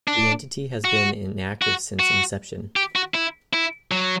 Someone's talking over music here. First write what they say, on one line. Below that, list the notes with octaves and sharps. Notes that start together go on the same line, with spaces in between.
The entity has been inactive since inception.
D4
F#4
F#4
F#4
G4
F#4
E4
E4
F#3